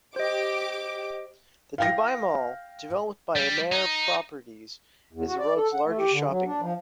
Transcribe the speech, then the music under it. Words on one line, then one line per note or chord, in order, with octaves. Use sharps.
The Dubai Mall, developed by Emaar Properties, is the world's largest shopping mall.
G4 C5 D#5 D6
F5 G5 A#6
G3
D#4
E2
F#4
D5
A4
F#5
A3
G4
D3
F#3
D4
F3